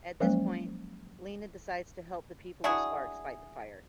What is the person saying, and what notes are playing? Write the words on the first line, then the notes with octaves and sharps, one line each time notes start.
At this point, Lina decides to help the people of Sparks fight the fire.
F3 F#3 G#3 A#3 C#4
D4 E4 F#4 G#4